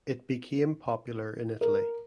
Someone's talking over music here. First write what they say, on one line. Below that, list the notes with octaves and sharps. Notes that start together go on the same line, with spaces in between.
It became popular in Italy.
A#4